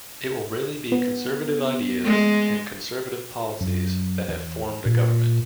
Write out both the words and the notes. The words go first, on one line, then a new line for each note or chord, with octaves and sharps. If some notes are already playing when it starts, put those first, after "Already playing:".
It will really be Conservative ideas and Conservative policies that have formed a government.
B3
G#3
F#2
E2
A#2